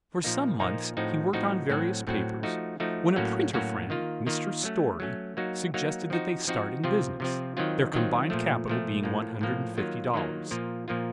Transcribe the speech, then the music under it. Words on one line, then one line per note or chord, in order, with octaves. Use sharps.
For some months he worked on various papers, when a printer friend, Mr. Story, suggested that they start in business, their combined capital being one hundred and fifty dollars.
A#2 F3 A#3 D#4
A#2 F3 A#3 D#4
A2 F3 C4 D#4 F#4
A2 F3 C4 D#4 F#4
A2 F#3 C4 F#4
A2 F#3 C4 F#4
F3 A3 D#4 F#4
F3 A3 D#4 F#4
A2 F#3 A#3 C#4 F#4
A2 F#3 A#3 C#4 F#4
D#3 A#3 F4
D#3 A#3 F4
F#3 A3 C#4
F#3 A3 C#4
F#3 A#3 D#4 F#4
F#3 A#3 D#4 F#4
F3 C4 D#4 F#4
F3 C4 D#4 F#4
C3 F3 C4 F4
C3 F3 C4 F4
D#3 F#3 C4 F4
D#3 F#3 C4 F4
A#2 F3 A3
A#2 F3 A3
A2 F3 A#3
A2 F3 A#3
D#3 F#3 A#3 F4
D#3 F#3 A#3 F4
A#2 F3 A#3 F4
A#2 F3 A#3 F4